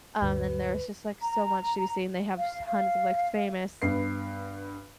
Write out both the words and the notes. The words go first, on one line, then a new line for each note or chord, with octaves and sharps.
Um, and there's just, like, so much to be seen, they have s tons of, like, famous
D2 G2 B4
A#5
F5
F5
G2 B3 C7